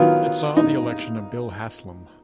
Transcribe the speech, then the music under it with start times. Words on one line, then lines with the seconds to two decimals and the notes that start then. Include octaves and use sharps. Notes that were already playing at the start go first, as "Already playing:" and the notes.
It saw the election of Bill Haslam.
Already playing: D#3 F#3 B3 F4
0.57 D#4